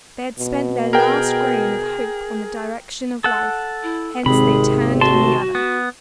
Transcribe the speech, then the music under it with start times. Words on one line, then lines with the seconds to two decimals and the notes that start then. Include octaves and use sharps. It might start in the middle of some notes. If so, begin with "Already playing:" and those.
They had spent their last grain of hope on the direction of life; hence they turned in the other.
0.39 B2
0.93 G#4 A#4 G5
3.24 A4 F#5
3.83 E4
4.26 G#1 C3 G#4 B5
5.01 F#4 A5 C6
5.55 B3